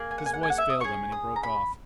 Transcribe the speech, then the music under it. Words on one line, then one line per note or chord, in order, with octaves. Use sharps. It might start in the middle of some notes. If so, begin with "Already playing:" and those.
His voice failed him, and he broke off.
Already playing: A#3 G#4
G#5
F#5
G#5
F#5
G#5
F#5
E5
D#6
A#3 C#4 G#4 C#6
D#6
A#5
B5